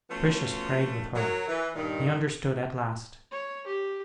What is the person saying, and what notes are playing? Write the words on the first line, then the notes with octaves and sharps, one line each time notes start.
Patricius prayed with her; he understood at last.
F3 A3 B3 C#4 F4 F#4
F#3 A#4
E3
G2 A#2 D#3
C#5
G4